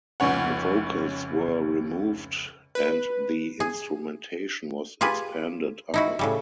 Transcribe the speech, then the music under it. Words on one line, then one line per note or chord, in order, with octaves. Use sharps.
The vocals were removed and the instrumentation was expanded upon.
F1 C#2 C#4 C#5 F#5
B4
G#4
F4 G4 G#4 B4
D#4 E4 F#4
A2 C#3 G3